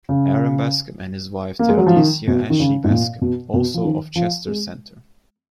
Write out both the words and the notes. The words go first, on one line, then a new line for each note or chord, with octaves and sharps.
Aaron Bascom and his wife Theodosia Ashley Bascom, also of Chester Center.
C#3
A#3
G#3
F#3
F3
D#3
B2
D#3
C#3
G#2
A#2
B2
B2
F3
D#3
F3
G#3